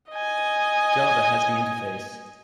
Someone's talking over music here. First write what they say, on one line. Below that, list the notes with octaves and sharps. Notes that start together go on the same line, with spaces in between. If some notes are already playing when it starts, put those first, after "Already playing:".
Java has the interface.
D#5 G#5